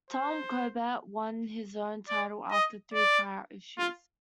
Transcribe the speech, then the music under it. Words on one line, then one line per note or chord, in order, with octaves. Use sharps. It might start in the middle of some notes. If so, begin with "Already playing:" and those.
Tom Corbett won his own title after three tryout issues.
C5
D5
D#5
D5
F4